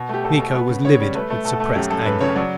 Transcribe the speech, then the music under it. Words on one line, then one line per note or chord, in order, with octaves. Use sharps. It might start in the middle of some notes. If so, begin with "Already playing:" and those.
Miko was livid with suppressed anger.
Already playing: B2
A3 G4
B2 A4
B2
B3 B4
C#3
C#3 C#5
G3
A3 B4
A3
B2 A4
A3
F#2 G4
F#2 A4
F#2 B4
C#3 C#5
F#3 D5